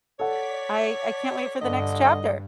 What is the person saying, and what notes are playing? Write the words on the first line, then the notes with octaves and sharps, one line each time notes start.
I I can't wait for the next chapter.
A4 C#5 D5 F#5 B6
G2 D3 D#5